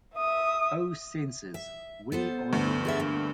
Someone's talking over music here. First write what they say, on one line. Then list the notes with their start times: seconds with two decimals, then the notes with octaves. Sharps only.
O censors, where are you now?
0.15 E5 D#6
1.54 E5
2.12 B3 A4 C5
2.53 D2 G2
2.85 G#4 D5 E5
3.00 A#3